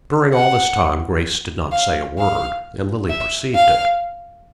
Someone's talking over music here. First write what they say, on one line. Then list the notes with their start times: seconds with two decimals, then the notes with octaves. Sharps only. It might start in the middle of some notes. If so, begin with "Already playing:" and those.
But during all this time Grace did not say a word, and Lily perceived it.
0.34 F#5
1.72 F5
2.18 F5
3.10 E5
3.55 F5